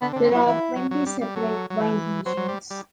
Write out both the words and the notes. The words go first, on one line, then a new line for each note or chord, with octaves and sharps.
There are twenty separate wine regions.
D3 B3
C4
D3
C4
F#3 E4
E3 E4
F#3
F#3
G3
G3
F#3 A4
F#3
E3
F#3 C5
F#3
G3
G3